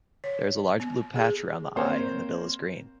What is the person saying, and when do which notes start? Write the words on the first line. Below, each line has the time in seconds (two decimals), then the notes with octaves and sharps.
There is a large blue patch around the eye and the bill is green.
0.24 C#5
0.80 B3
1.16 G#4
1.76 A#3 C4 C5 C#5